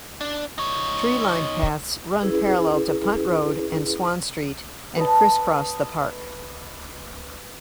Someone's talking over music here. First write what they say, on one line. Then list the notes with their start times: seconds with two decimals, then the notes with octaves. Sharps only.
Tree-lined paths run parallel to Punt Road and Swan Street, and criss-cross the park.
0.21 D4
0.58 D#4 C#5
2.22 C#4 E4 G#4 B4
4.97 B4 D#5 A5